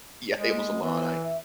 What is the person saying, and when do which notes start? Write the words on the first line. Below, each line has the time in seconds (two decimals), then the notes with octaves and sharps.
Yeah, it was a lot. I
0.34 G#3
0.52 A#3
0.70 A3
0.82 E3 B3
1.23 E5